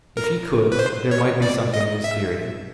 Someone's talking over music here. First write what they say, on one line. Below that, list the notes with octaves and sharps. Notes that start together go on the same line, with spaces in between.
If he could, there might be something in his theory.
A#4
B4
C5
C#5
D5
D#5
E5